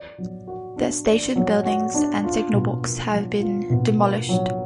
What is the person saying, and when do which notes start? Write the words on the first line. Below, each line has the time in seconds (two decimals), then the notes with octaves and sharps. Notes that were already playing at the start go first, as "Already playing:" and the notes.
The station buildings and signal box have been demolished.
Already playing: D5
0.18 F#3
0.47 F#4
0.76 D4
1.06 D5
1.36 F#3
1.65 F#4
1.94 D4
2.24 F4
2.52 B2
2.82 A#3
3.12 F#3
3.40 F4
3.70 B2
3.99 A#3
4.29 F#3